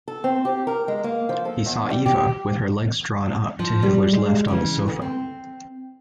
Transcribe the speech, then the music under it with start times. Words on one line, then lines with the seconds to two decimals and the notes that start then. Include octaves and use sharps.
He saw Eva, with her legs drawn up, to Hitler's left on the sofa.
0.08 A4
0.24 C4
0.45 G4
0.67 A#4
0.88 G#3
1.04 A#3
1.29 F3
1.45 A4
1.66 E2
1.90 G3
2.06 G4
3.59 F3
3.83 G3
4.12 G#3
4.48 C#3 E3
4.88 D2
5.02 C4